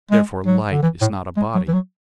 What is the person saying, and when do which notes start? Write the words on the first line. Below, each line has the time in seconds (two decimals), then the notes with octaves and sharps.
Therefore light is not a body.
0.11 G#3
0.46 F#3
0.72 D3
0.82 E3
1.01 A2
1.37 G#3
1.55 F#3
1.68 E3
1.73 F#3